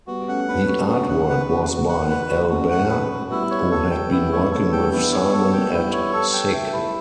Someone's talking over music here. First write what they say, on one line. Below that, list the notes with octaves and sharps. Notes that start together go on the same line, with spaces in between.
The artwork was by Al Bare, who had been working with Simon at "Sick".
G3 B3 F#4
B3
A3 C#4 F#5
B3 D4 B4
A3 C#4 F#4
D4 F#4
C#4
B3 D4 F#5
B4
F#4
F#4
F#5
B4
F#4
A3 C#4 F#4
F#5
B4
F#4
G3 B3 E4
C#5
A4
G5
B3 D4 E4
A3 C#4 C#5
A3 C#4 A4
G3 B3 G5
B3 D4 E4
C#5
B3 D4 A4
G5
G3 B3 E4
C#5
A4
G5
A3
E4